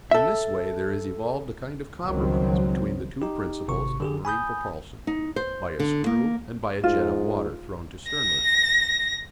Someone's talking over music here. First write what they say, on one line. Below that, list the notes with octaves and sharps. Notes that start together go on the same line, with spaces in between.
In this way there is evolved a kind of compromise between the two principles of marine propulsion, by a screw and by a jet of water thrown to sternward.
A4 E5
C#2 D#3 F#3 G3 C4
D#4 G4
G#1 C3 C#6
D3 G4 G#4
G#5 B5 D#6 G6
D#4
C5
D3
A#3
G#2 F4
A#6